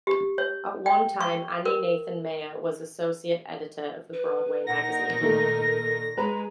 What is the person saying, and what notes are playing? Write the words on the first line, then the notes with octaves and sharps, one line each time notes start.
At one time, Annie Nathan Meyer was associate editor of the "Broadway Magazine".
G4
C#5
G5
C#6
A#4
B4
A#2 D#4 A#4 F#5 A#6
D#3 A3 A#3 A4
G#3 B4 A#5